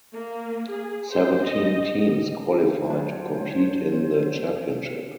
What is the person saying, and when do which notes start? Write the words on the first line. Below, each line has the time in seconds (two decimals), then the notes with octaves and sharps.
Seventeen teams qualified to compete in the championship.
0.13 A#3
0.70 G#4
1.11 C5
1.43 D#5
1.84 D#5
2.89 F#3 D4 C5 C#5